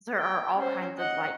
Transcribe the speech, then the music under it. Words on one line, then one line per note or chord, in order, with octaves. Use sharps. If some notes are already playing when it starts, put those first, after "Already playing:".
There are all kinds of, like,
G5
C#4 C5
D#5 F#5